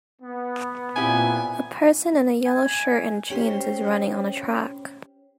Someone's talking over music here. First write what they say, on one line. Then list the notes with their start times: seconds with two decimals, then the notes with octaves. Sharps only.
A person in a yellow shirt and jeans is running on a track.
0.20 B3
0.96 A#2 C4 E4 G4 G#5
2.46 G#5
3.30 C#4 G4 C5